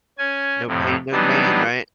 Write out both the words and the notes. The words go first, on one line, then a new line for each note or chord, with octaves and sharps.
No pain, no gain, right?
C#4 G#5
F2 A2 C3
E3 F#3 G3 B3 D4 D#4